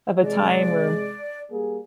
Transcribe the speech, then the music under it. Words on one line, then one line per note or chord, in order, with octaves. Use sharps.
of a time or
C3 E3 G#3 D5
G3 A#3 G#4